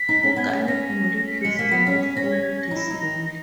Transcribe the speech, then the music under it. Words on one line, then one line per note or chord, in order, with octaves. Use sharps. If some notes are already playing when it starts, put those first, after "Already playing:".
Organic molecules do not follow this rule.
Already playing: B6
D#4
C#4
B3 G#6
C#4 B6
C#4 A#6
B6
G#3 C#7
A#3 B6
B3
C#4
C#4 A#6
G#6
G#6
A#6
D#4
E4
D#4
A#6